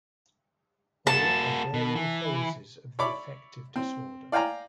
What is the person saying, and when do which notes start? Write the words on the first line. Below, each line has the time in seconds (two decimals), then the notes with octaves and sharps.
All are varying phases of the affective disorder.
1.07 A#3 F#4 A5
1.74 B2
1.95 E3
2.99 C#5 D5 E5 B5 D6
3.76 C4
4.32 D5 F5 G5 G#5 A#5